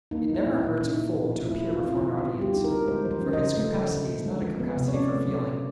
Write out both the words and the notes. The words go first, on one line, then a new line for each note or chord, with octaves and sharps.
It never hurts a fool to appear before an audience, for his capacity is not a capacity for feeling.
A#3 D#4
F#3
E4
A#2
E4
A#2
C#4 D#4
A#3
F3
F3
F4
A3 E4
F3
F4
C4
F4
D3
B3 F#4
G3
G4
D#4
A#4
D3
G#3 C5
F3
C5
C#4
D#5
C#3
A3
F3
D3
D3
G#3
F3
B3
C3
C#5
C#4 D5
A3
F#3
F#3